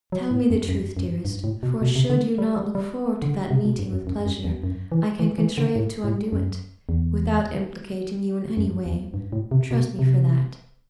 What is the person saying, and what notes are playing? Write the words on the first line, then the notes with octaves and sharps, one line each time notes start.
Tell me the truth, dearest, for, should you not look forward to that meeting with pleasure, I can contrive to undo it without implicating you in any way; trust me for that.
F#3
A2
F#2
F#2
F#2
G2
A2
B2
B2
C3
D3
G3
G3
G3
D3
C3
B2
G2
F#2
F#2
F#2
E2
F#2
E3
E3
E3
D3
A2
A2
F#2
E2
F#2
E2
G2
A2
C3
B2
C3